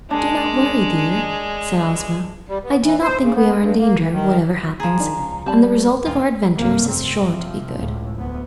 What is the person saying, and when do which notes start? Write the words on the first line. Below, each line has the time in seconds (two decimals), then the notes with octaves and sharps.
"Do not worry, dear," said Ozma, "I do not think we are in danger, whatever happens, and the result of our adventure is sure to be good."
0.11 G#3 D4 A#4
2.48 G3
2.63 B3
2.82 E3
3.02 C5
3.21 C#3
3.35 B3
3.60 G2
3.78 A#3
3.99 E3
4.11 D#3
4.80 F3 G#4 A#5
5.00 D#3 D4
5.19 C#2
5.46 G3 C4 D5 A5 B5
6.06 E1 G#3 F4 G5
6.55 B1 G2 C3 A3 A#3
6.88 F1 C4
7.20 C3 F3
7.79 C#2 A2
8.15 D2 B3